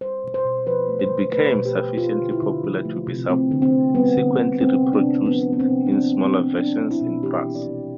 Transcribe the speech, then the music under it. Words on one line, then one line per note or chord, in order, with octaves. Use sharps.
It became sufficiently popular to be subsequently reproduced in smaller versions in brass.
G3 C5
B2
C5
B2
F3 B4
A3
C5
D3
A3 B4
B2
G4
B2
A3 F4
D3
E4
D3
F3
A3
C3
A3 C4
D3
C4
D3
G3 B3
D3
D3
G3 C4
C3
D4
C3
F3 B3
A3
B3
C4
C3
D4
F3 C4
A3
C4
C3
G3 D4
B2
E4
B2
E3 G4
G3
D5
C3